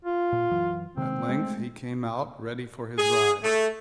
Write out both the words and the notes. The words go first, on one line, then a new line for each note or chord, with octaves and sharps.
At length he came out, ready for his ride.
F4
A#2
F#2 E3 F#3
C3 D#3 G#3 C4
G#3 A3
G#4
A3